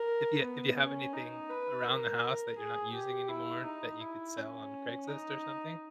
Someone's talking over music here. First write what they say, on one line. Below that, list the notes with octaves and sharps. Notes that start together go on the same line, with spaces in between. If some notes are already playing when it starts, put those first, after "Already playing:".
if you if you have anything around the house that you're not using anymore that you could sell on Craigslist or something,
Already playing: A#4
B3
C#4
D#4
B4
A#4
G#4
G4
E4
D#4
E4
C#4
D#4